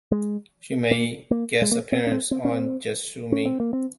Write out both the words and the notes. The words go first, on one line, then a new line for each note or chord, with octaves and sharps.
She made guest appearances on Just Shoot Me!
G#3
A#3
A#3
G#3
A#3
C4
C#4
C4
C4
C#4
C4
C#4
C4
A#3
C4